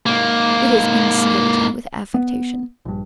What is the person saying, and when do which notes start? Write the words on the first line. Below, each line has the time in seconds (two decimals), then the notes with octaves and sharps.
It is incivility with affectation.
0.06 G#2 A#3
2.14 B3
2.85 A#1 G2